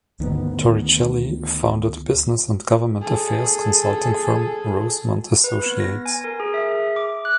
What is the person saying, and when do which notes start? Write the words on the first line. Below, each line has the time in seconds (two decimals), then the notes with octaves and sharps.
Torricelli founded business and government affairs consulting firm Rosemont Associates.
0.20 D2 D#3 E3 B3
3.02 G#4 A4
5.44 B4
5.66 B3
5.80 A#6
6.06 G#5
6.24 A#4
6.40 G#4
6.54 E5
6.69 G#4
6.96 D6
7.25 F#6